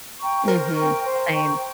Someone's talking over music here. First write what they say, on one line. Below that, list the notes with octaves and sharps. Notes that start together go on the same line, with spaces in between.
Mhm. Same.
G5 A#5 C#6
A#4 C5
G5 A#5 C#6
C5
G5 A#5 C#6